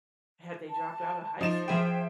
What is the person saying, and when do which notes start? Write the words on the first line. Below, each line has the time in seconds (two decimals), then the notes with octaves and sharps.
had they dropped outta high school?
0.68 A5
1.41 F3 D#4 C5 E7
1.68 F3 G#4 E5 G5 E7